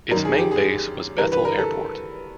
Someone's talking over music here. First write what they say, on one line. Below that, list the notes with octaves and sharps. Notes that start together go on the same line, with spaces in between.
Its main base was Bethel Airport.
F#2 D#3 A#4
G#4
G4
G#4
G2 E3 A#4
B4
A#4
A4